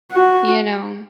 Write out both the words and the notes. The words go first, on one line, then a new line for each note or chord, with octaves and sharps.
You know?
F#4